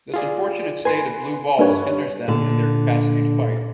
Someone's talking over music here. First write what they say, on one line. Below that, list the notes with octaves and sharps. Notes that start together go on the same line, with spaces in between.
This unfortunate state of "blue balls" hinders them in their capacity to fight.
F4 G#4 D5
B4 G#5 C6
G2 B4 C#5
A#2 D3